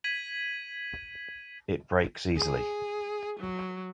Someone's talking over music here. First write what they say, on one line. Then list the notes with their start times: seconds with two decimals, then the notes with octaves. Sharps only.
It breaks easily.
0.04 G#6 B6 D#7 F#7
2.36 G#4
3.40 F#3